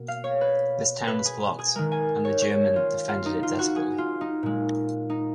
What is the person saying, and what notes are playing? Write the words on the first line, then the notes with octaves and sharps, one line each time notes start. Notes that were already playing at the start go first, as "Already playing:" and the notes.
This town was blocked, and the German defended it desperately.
Already playing: B2 A#3
F5
C#5
B4
B4
G#4
G#4
D#3 G#3 A#4
G#5
C#5
C#5
F4
F4
D#4
F4
F#4
G#4
F4
D#4
A#2 G#3
D#4